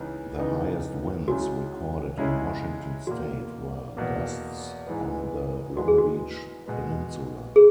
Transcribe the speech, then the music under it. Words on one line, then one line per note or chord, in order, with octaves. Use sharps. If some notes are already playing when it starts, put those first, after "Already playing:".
The highest winds recorded in Washington state were gusts on the Long Beach Peninsula.
Already playing: C#2 C#3 E3 B3 D#4
C#2 C#3 E3 B3 D#4
C#2 C#3 G#3 C#4 E4 F#4
C#2 C#3 G#3 C#4 E4
E2 B2 A#3 F#4
E2 B2 A#3
G#2 E3 G#3 B3
G#2 E3 G#3 B3 F#4
G#4
F#4
B2 G#3 B3
G#4